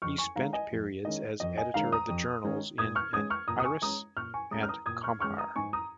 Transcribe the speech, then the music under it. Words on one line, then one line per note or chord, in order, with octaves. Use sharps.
He spent periods as editor of the journals "An Iris" and "Comhar".
F2 C#6 F6
G#5 C#6
D#3 G#3 C#4 F5 A#5
D#5 G#5
F2
D#3 G#3 C#4 D#5
F2 D#5
D#5 G#5
D#3 G#3 C#4 F5 A#5
A#5 D#6
F2
D#3 G#3 C#4
A#2 D#6 G#6
C#6 F6
G#3 C#4 D#6 G#6
C#6 F6
A#2 A#5 D#6
D#6
G#5 C#6
G#3 C#4 A#5 D#6
A#2 C#6 F6
G#5 C#6
G#3 C#4 A#5 D#6
F6
A#5 D#6
A#2 D#6 G#6
C#6 F6
G#3 C#4 C#6 F6
A#5 D#6
G#2 G#5 C#6
A#5 D#6